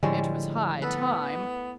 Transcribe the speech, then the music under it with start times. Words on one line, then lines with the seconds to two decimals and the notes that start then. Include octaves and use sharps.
It was high time.
0.03 A2 D3 F3 G3 G#3
0.82 B3 A4 B4